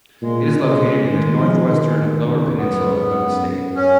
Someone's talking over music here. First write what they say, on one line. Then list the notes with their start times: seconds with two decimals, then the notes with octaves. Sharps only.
It is located in the northwestern Lower Peninsula of the state.
0.22 A#2 G#3
0.52 C#3
0.81 C#3
1.11 D#3
1.41 F3
1.69 D#3
1.99 D#3
2.28 C#3
2.58 F#2 B3
2.87 G#2
3.16 F#2
3.76 C#4